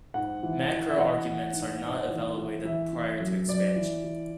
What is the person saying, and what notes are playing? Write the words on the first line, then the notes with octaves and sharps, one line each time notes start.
Macro arguments are not evaluated prior to expansion.
G#2 F#5
E3
E3
E5
E3 F#5
E3
G#2
G#2
E3
E3
E3 E5
E3
F#2
F#2 D5
E3
E3